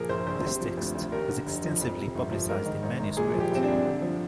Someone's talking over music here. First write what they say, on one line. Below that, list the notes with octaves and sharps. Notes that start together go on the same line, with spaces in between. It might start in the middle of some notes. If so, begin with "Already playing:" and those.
This text was extensively publicized in manuscript.
Already playing: A#2 F3 G#4 A#4
A#1 C5
A#1 C5
C3
F3
D2
D2
D#2 A#4
D3
F1
F3
F2
C3
G1
F3
G#2 A#4
D#3
G#1
G#1
A#2 G#4
F3
G4
C2 C4
D4
C2
D3
F3